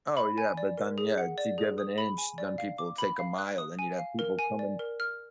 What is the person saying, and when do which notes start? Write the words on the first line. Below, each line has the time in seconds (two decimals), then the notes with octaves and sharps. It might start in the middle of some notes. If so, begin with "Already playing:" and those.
Oh, yeah, but then yeah, if you give an inch, then people take a mile, then you'd have people come and
0.17 B5
0.38 G#5
0.57 D5
0.78 A#4
0.98 G#4
1.18 F#5
1.38 D5
1.58 G#4
1.78 D#6
1.98 B5
2.18 G#5
2.38 D5
2.58 F5
2.78 D6
2.98 B5
3.19 F5
3.38 F#6
3.58 D#6
3.79 G#5
3.98 F5
4.19 A#4
4.39 G#5
4.59 D5
4.79 A#4
5.00 F6